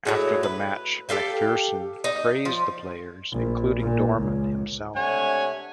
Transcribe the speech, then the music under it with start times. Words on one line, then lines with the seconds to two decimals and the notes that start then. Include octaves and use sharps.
After the match, MacPherson praised the players, including Dorman, himself.
0.05 A2 F#3 G#3
0.43 B4
1.09 G4 A4 F5 G5
2.04 D#4
2.45 F3
3.32 A#1
3.80 A#2
4.17 C#2
4.96 C3 A3 D4 C#5 F#5 G#5